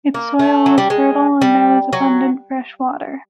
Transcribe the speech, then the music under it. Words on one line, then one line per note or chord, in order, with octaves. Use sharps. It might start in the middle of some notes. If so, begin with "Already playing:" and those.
Its soil was fertile and there was abundant fresh water.
A#3
A3
F#3
G3
G#3
G3
F#3